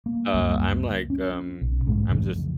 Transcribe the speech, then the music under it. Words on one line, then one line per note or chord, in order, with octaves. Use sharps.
Uh, I'm like, um, I'm just,
A#3
C#2 F#2 G3 A#3
C#4
B1
F2 G#2 G#3 A3
F2 C#3 E3